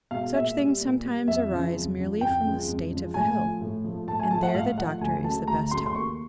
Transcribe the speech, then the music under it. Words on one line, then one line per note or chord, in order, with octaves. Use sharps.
"Such things sometimes arise merely from the state of the health, and there the doctor is the best help."
B2 G#3 F5
A#2 E5
G3
A#2
G3
F2 E5
C#3 F3
F2
C#3 F3
F2 G5
C#3 F3 G#3
F2
C#3 F3 G#3
A2 G#5
F3 A3
A2
F3 A3
A2 A5
G#5
F3 A3 A5
F#5
A2 F5
F3 A3 F#5
D2 G#5
C#3 F#3 A3 A5
D2 A#5
C#3 F#3 A3 C6
C6
D#2 C#6